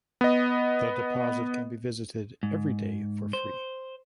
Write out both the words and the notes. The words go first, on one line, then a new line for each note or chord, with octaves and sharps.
The deposit can be visited every day for free.
B3 D#5
G#2
C5